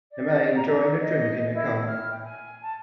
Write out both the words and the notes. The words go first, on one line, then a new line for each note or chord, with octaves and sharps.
A man enjoying a drink in a cup.
D5
A#5
D#4
D#5
E4
F6
G5
G#5
A5